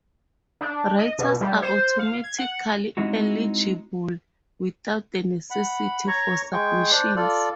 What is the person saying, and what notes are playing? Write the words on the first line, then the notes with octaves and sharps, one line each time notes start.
Writers are automatically eligible without the necessity for submissions.
D4
D#5
B2
G3
C5
F5
G#6
F#5
G#3 C4 D#4 E4 F#4
F#5 B5
C#5 A#5 C#6
G#3 G#4 G5 C#6
D4 C5 D5
F4 A4 D5